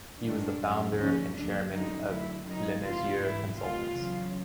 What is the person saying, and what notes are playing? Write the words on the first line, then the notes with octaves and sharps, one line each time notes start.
He was the founder and chairman of LeMessurier Consultants.
G2 D#3 G#3 D4
F#2 D3 G3
D#2 D3 F3 G#3 C#4
D#2 D3 F#3 D4
F#2 D3 F#3 D#4
D2 D3 F#3 E4
F#2 D#3 F#3 D#4
E2 C3 E3 G3 F4
G#2 E3 G3 E4
D2 C3 D#3 F4
E2 C#3 F#3